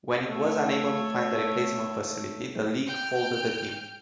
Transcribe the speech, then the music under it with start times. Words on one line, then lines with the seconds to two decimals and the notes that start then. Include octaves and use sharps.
When it was unable to find a replacement facility, the league folded the team.
0.24 A3 C#5
2.87 G5 F6